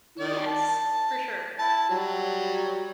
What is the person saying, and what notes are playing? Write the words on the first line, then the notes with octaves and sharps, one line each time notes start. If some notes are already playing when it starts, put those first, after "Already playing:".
Yes, for sure.
D#3 D5
A5
E4 A5
F#3 G3